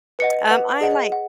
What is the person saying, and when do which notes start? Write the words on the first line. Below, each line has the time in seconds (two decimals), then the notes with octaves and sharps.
Um, I like
0.19 B4 D#5 F#5 C#7
0.50 B4 F#5
0.81 G#4 D#5 F#5
1.12 F#5